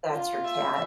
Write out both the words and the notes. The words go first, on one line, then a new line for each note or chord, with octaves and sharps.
That's your cat."
F4
E5